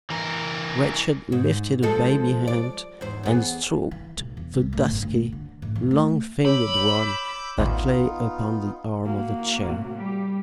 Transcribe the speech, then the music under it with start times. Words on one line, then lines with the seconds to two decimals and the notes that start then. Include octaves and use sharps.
Rachel lifted her baby-hand, and stroked the dusky, long-fingered one that lay upon the arm of the chair.
0.10 E3 A#4
1.32 G#2
1.83 F3 G#3 A4
2.47 D5
3.01 E2 G#2 C5
3.23 E2 B3 G#4
3.91 E3
4.18 B1
4.37 E2
4.54 C2
4.73 A2
4.91 G1
5.02 D2
5.32 D3
5.62 A1
5.75 E2
5.91 A3
6.45 C#5 B5 D6 E6 G6
7.58 A1 D2 B3 D#4 F4
9.05 A#3 F#4
9.55 A2 C3
9.96 G3 G4